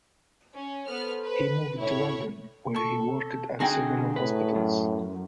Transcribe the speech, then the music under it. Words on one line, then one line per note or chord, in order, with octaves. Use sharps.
He moved to London, where he worked at several hospitals.
C#4
B3 A4 C5 F6
B4
D2 A2 E4 C#5
A4 C#6
D3 C4 D#4 F#4 G#4 G5
A2 B4
F#2